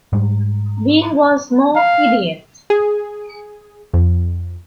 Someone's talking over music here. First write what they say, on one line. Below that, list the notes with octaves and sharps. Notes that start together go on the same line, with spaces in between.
Bing was no idiot.
G#2 G3
F5
G#4
F2